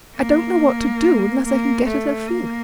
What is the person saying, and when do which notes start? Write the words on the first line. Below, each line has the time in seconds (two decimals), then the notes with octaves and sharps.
"I don't know what to do, unless I can get at her feeling."
0.17 A#3
1.45 A#3
1.87 A3
2.29 A#3